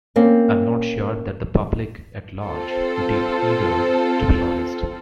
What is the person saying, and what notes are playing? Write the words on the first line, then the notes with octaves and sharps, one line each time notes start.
I'm not sure that the public at large did either, to be honest.
A#3 C4 C#4
C4 F4 A4 C5